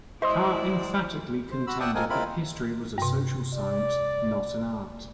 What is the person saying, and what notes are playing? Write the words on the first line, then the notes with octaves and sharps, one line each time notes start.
Carr emphatically contended that history was a social science, not an art.
G#3 E4 C5 D5 D#5 C6 D#6
C5
F#4 B5 E6
D5 E5 F#5 G5 A5 D#6
G#3 C4 F4 A4 A#4 G#5
G#3 C4 E4 F4 A#4 B5
G2 C3
D5